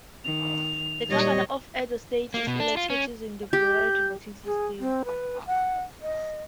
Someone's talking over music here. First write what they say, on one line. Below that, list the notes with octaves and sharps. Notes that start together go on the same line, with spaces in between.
The Governor of Edo State is elected using the plurality voting system.
D#3 F7
A#2 F#3 G3 C#5 D#5
A#3
B2
D4
F4
C#4
G4 G6
G#4
C4
B4
F#5
D#5